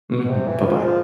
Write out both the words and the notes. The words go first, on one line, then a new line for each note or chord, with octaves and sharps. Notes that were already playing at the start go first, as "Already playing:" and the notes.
Mhm, buh-bye.
B2
C3
E3
F3
G#3
F3